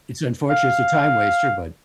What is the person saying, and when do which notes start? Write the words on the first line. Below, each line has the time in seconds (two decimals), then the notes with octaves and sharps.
It's unfortunate, it's a time waster, but
0.50 F5